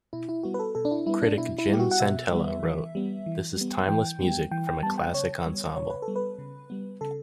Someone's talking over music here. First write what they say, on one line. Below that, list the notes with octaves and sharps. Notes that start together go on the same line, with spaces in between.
Critic Jim Santella wrote, This is timeless music from a classic ensemble.
B2 E4
E4
G3 B3 F#4
B4
A4
B2 A4
D4
E4
G3 B3 E4
D4
B2 E4
E4
G3 B3 G4
F#4
F#5
B2 E5
G3 B3
E3
G3 B3
E3
G3 B3
E3 G5
G3 B3
E3 G5
G5
G3 B3 A5
G5
C#3 C#5
G3 B3
C#3 C#5
B4
A4
G3 B3
B4
C#3
G3 B3
C#3 A4